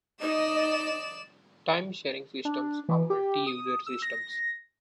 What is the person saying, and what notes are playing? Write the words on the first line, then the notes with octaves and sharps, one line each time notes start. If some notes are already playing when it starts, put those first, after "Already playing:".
Time-sharing systems are multi-user systems.
D#4 D5 D#5 E7
D4
E3
G4
D#6
E6
A#6